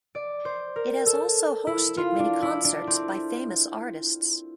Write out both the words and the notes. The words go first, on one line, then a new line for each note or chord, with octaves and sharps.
It has also hosted many concerts by famous artists.
D5
C5
A#4
A4
E4
F4
D4
E4
D4
C4